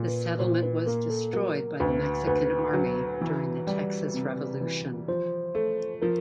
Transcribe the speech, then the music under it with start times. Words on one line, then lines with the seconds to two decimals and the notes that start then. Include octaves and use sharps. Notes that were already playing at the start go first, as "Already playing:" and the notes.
The settlement was destroyed by the Mexican army during the Texas Revolution.
Already playing: A#2
0.08 B4
0.39 A#2 C5
0.63 B4
0.86 A#3 A#4
1.10 A4
1.33 F#3 A#4
1.80 D2 B4
2.27 D2 B4
2.73 F#3
3.21 E3
3.67 G3
4.14 C3
4.61 E3
5.08 F3 C5
5.55 A3
6.02 F3 A#4